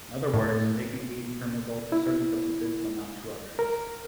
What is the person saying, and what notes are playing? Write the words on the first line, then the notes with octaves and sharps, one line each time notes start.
In other words, they can be permeable to certain substances but not to others.
A2
E4
A#4